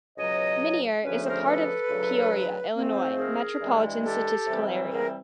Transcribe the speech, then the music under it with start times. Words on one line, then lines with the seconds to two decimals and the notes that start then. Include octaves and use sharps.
Minier is part of the Peoria, Illinois Metropolitan Statistical Area.
0.17 C#2 B2 F#3 C#5 D#5
1.03 D2 C#3 F3 A3 C#4 B4 C#5
1.24 A#4 C5
1.46 A4 B4
1.89 D2 C#3 F#3
2.75 G#2 F3 A3 C4
3.19 G#4 A#4
3.61 G2 E3 G#3
4.04 G4 A4
4.47 C3 E3 G3 C4
4.90 G#4 A#4